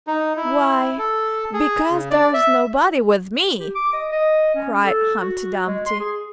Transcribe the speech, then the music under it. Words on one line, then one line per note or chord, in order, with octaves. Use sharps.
'Why, because there's nobody with me!' cried Humpty Dumpty.
D#4
E4
A4
G#4
C#3
D5
E5
G4
D6
D#5
D#5
C#4
A4
F#4
G#3
C6
G#4